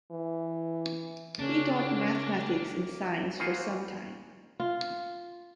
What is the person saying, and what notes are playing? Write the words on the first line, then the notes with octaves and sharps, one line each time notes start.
He taught mathematics and science for some time.
E3
C#3 A#3 C#4 D4
A#3 F4 F#4 G#4 B4 C5
F4